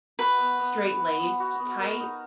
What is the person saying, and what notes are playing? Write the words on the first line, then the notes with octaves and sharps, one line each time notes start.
straight-laced type,
F#4 B4
B3
B3
B3
F#4
B3
F#4
B3
A#4
D#4